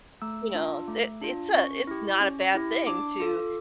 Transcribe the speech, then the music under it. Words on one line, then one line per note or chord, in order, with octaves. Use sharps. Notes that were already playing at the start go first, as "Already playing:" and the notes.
you know, it it's a it's not a bad thing to
A3 E6
D4 F4
A3
D4 F4
C#4 C#6
E4 G4
C#4
E4 G4
D4 D6
F4 A4